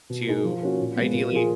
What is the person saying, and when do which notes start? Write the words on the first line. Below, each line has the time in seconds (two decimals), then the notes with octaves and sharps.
to ideally
0.10 B2
0.27 A#3 D#4 G#4
0.44 F3
0.62 A#3 C#4 F#4
0.80 A#2
0.96 F3 G#3 B3
1.14 A#2
1.32 F3 A#3 F4 G#4